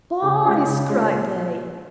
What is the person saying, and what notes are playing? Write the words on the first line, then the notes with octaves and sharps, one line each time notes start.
"Boys!" cried they.
C#3
G#3 C#4 F4
C#3
G#3 C#4 F4
A#2